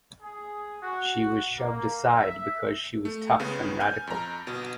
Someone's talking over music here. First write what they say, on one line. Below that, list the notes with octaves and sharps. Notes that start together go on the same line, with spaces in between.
She was shoved aside because she was tough and radical.
G#4
F#4
A#3
E5
A3
C#2 C#3 G#3 B3
G#5 F6 G6
F2 A#5
G1 B2